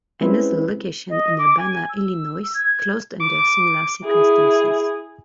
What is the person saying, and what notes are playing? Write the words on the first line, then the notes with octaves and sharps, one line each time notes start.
Another location in Urbana, Illinois closed under similar circumstances.
G#3 C4 C#4 E4 B4
D#5
D6
G#5
E6
G#6
D6
E4 G#4